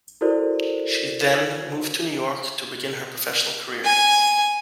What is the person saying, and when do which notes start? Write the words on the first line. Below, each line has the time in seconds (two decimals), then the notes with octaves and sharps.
She then moved to New York to begin her professional career.
0.21 E4 F#4 A4 A#4 C5 D5
3.85 G#5